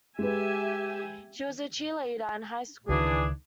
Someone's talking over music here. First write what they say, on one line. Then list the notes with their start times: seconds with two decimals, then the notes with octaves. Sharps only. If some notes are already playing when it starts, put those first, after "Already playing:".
She was a cheerleader in high school.
0.19 G#3 G4 B4 E5 G#5
2.89 C#2 D#3 E3 D4 G#4